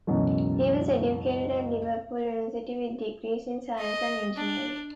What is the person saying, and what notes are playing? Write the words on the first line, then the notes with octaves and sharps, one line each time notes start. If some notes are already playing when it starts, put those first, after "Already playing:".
He was educated at Liverpool University with degrees in science and engineering.
C#2 F#2 B2 E3 F#3
D#5
D4